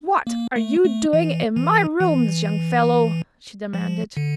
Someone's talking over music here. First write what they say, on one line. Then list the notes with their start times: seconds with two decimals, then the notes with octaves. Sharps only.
"What are you doing in my rooms, young fellow?" she demanded.
0.27 A#3
0.56 A3
0.85 A3
1.13 E3
1.56 E3
2.00 E3
3.73 F3
4.17 D3